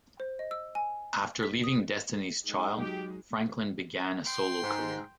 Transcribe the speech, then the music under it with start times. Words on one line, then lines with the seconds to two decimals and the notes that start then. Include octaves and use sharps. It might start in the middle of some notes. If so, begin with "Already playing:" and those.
After leaving Destiny's Child, Franklin began a solo career.
0.20 C5
0.39 D#5
0.51 E6
0.75 G#5
1.43 B6
1.64 D#6
2.45 G#3 D#4
2.78 F#3 G4
4.25 G5 C6
4.64 G#2